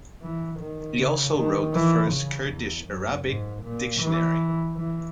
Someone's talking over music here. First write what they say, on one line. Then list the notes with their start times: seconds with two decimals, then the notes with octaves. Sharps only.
He also wrote the first Kurdish-Arabic dictionary.
0.22 E3
0.59 D#3
0.98 C#3
1.36 D#3
1.74 E3
2.12 C#3
2.49 E2
2.87 F#2
3.25 G#2
3.63 A#2
4.01 E3
4.77 E3